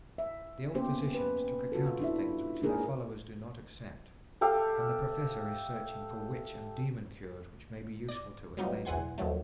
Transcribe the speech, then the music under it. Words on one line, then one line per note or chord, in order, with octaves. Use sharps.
The old physicians took account of things which their followers do not accept, and the Professor is searching for witch and demon cures which may be useful to us later.
E5
A#3 B3 C#4 G4 C5
B4
F4 F#4 A4
D4 E4 E5
A#3 D4 D#4 G#4 A#4
G4 A4 E5 F5
D5 A#6
F#3 G3 B3 D#4 F4
B1 E2 E3 F#5 G#5 C6
D#2 D#3 F3 F#3 A3